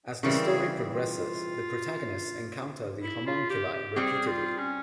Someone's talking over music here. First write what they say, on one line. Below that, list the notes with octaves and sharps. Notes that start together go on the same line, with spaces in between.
As the story progresses, the protagonists encounter the Homunculi repeatedly.
C#3 E3 G3 C4 A#4
G#4
F4
E4
F4
G4
G4
G3 C4 G4 G#4
F4
C#4